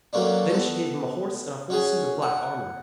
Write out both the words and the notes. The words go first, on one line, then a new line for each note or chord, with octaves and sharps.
Then she gave him a horse and a full suit of black armour.
F#3 A3 A#3 C#4 D4
B3 A4
C#4 F#4 G#4 G#5
F#5